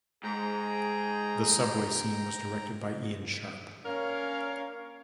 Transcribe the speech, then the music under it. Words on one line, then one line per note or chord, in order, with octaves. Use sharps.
The subway scene was directed by Ian Sharp.
G#2 G#4 G5 A#5
A#3 C#4 D4 A#4 C#5 F5